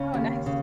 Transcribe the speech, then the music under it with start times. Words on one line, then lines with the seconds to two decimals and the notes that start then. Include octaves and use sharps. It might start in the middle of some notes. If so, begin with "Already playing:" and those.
Oh, nice.
Already playing: C#3 C#4
0.14 D#2
0.46 C#3